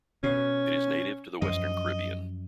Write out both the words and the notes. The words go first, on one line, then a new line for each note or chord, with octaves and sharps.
It is native to the western Caribbean.
B2 C#4
F#2 F3 D#5